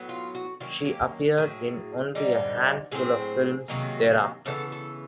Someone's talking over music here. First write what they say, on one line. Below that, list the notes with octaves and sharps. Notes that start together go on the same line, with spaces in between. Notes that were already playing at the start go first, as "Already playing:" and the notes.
She appeared in only a handful of films thereafter.
Already playing: A2 F#3 B3
F4
F#4
D#3 F#3 A#3 C#4 F4
G4
A2 F#3 A#3 G#4
D3 G3 C4 D#4
A2 F#3 A3 C4 G#4
C3 D#3 F#3 A#3
C#3 E3 B3 A4
A4